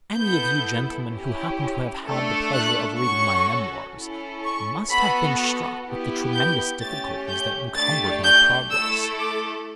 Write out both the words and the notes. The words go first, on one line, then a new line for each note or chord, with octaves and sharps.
Any of you gentlemen who happen to have had the pleasure of reading my memoirs must have been struck with the tremendous difficulties that encumbered my progress.
B3 E4 A4 G6
C#4 E4 G4
A3 D4 A4
F#6
C#4 F#4 A4 C#6
C#4 E4 A4
C#6
B3 F#4 A4 B5
B3 E4 G4
G6
A3 C#4 G4 A6
G6
A3 D4 G4 A6
G6
A3 E4 A4 E6
D6